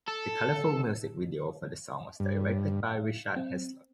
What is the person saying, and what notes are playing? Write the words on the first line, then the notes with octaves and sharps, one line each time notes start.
The colorful music video for the song was directed by Richard Heslop.
A4
G2
C4